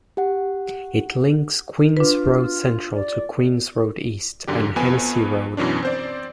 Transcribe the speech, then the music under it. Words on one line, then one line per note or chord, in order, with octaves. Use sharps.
It links Queen's Road Central to Queen's Road East and Hennessy Road.
G4 F#5
D4 F4 B4
D5
F#2 D3 G4
F2 B3 G#5
F#2 B2 E3 C#4 D4
C4 C5 D5